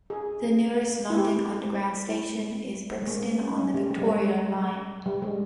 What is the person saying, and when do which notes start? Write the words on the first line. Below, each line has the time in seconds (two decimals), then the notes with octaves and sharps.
The nearest London Underground station is Brixton on the Victoria line.
0.10 G#4
1.10 E4
1.17 G4
1.25 E4
2.08 E4
3.02 G#3
3.07 A#3
3.24 B3
3.41 C#4
3.50 D#4
3.57 C#4
3.74 G3
3.90 G#3
3.98 G3
4.07 G#3
5.06 G3
5.22 G#3